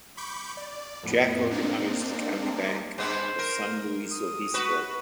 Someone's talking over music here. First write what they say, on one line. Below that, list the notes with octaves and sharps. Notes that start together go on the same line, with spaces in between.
Jack organized the County Bank of San Luis Obispo.
B5 C#6 D6 G6
D5
F2 A2 B3
A#3 C4 D4 D#4
G2 B3 B4 C5
A#4
D#6
F#4 B4